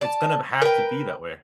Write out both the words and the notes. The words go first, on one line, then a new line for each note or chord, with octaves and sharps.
It's gonna b have to be that way.
D5 A5
A#4 B4 G5